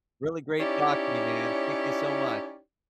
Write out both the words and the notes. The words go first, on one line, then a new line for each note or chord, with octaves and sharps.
Really great talking to you man, thank you so much.
C#4 D#4 E4 G4 C#5 D5